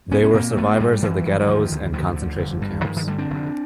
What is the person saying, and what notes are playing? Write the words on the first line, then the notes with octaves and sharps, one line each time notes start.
They were survivors of the ghettos and concentration camps.
C2 B3 C#4
C#4
A#2 A#3 C4
G#1 A3 B3
G#2 G3 A3
G3
G#1 E3 F#3
G#1
E3
D2 D#3 F3
D2
D2 D#3 F3
D3
G1
G2
G2 D#3 F3
D#3 F3
D3 G3 A3
C4 D4
F1